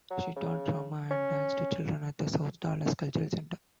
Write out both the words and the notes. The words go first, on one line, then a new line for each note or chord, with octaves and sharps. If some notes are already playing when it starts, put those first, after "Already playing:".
She taught drama and dance to children at the South Dallas Cultural Center.
F#3
C#3
C#4